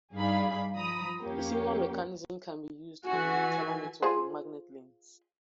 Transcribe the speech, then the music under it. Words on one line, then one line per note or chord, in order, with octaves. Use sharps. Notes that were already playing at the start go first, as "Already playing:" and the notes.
A similar mechanism can be use on the Gnutella network with magnet links.
G2 D#4 G#4 D5 F5 B5
F3 A#5 B5 D#6
F2 A#3 C#4 G4 C#5
E3 F#4 G#5
F4 G#4 C5